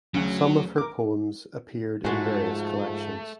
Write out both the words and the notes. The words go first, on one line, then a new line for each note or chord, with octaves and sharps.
Some of her poems appeared in various collections.
D2 C#3 F#3
A#4 D6
G#2 F3 G#3 A3 F#4